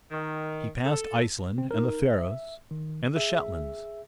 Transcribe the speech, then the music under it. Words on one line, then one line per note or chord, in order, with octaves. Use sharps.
He passed Iceland and the Faroes and the Shetlands.
D#3
A4
C4
D#4 A#4
E5
D#3
G#4 E5